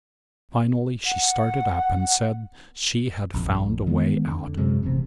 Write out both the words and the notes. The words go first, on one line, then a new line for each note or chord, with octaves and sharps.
Finally she started up, and said she had found a way out.
F#5
A#1 F2
D#3 G#3 B3
F2 D3
F#2 C3 G#3
D#1 A1 C3